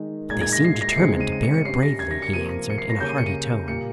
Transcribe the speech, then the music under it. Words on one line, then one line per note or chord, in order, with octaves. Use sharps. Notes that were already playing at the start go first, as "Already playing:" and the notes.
"But they seem determined to bear it bravely," he answered, in a hearty tone.
Already playing: D#3 G#3 D#4
A#2 G#3 D#4 G#6
G#6
A#6
C7
A#6
C7
C#3 G#3 C4 D#4 C#7
D#7
D#7
C#7
C#7
G2 G3 C#4 C7
A#6
G#6
A#6
C#7
C3 F3 A#3 D#7
C#7
C7
A#6
C#3 G3 A#3 C#4 G6
D#7
C#7
D#7
A#2 G3 A#3 C#7